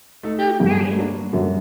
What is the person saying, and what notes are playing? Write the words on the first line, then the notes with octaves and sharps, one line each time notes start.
So, it's very interesting.
A3 D#4 A4
G2 D3
F#3 A#3 D4
F#2 D3